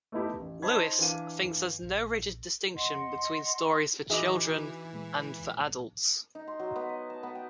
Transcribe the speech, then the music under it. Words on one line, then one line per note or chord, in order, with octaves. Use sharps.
Lewis, thinks there is no rigid distinction between stories for children and for adults.
A3 B3 D#4 E4 G4
A1
D#4 C5 A5 B5 G#6
E3 D4 F5 D#7
A#1
D#5 F#5 C6
E3 D#4 F#4 G#4 D#5 E5 D6
A#2 G#3
D#4
C6
F#3
B3
D#5
A5
B3
G5